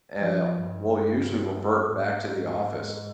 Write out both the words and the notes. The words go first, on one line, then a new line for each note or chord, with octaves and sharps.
e uh, w we'll usually revert back to The Office,
F3
G2
G#2